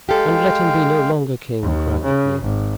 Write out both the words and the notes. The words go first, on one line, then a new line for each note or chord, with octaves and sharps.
"And let him be no longer king," cried the queen.
G#3 G4 A4 F5 G5
D#2
C#3
G#1